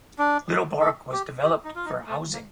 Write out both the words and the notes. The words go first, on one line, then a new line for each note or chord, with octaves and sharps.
Little Park was developed for housing.
D4
A4
G4
G4
D#4
F4
D#4
A3
A#3